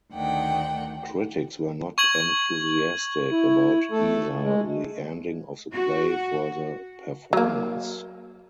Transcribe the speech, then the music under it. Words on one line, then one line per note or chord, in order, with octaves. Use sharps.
Critics were not enthusiastic about either the ending of the play or the performance.
D2 D#3 D4 F#5 G5
C#6 G#6 F#7
E4
A3 A4
G#3
F#4
F#3 A#3